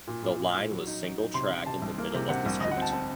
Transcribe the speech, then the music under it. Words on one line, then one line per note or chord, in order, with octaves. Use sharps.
The line was single-track in the middle of the street.
A#2
A#2
A#2
A#2
F#3
D#4
F#3
D#4
C3 C6
C3
C3 A5
C2
A#3
C3
C3 F#5
C2
D2 D#5
F#5
C4
A5
C4 A5